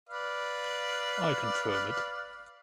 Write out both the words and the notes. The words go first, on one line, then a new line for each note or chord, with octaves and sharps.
I confirm it.
B4 D5 F5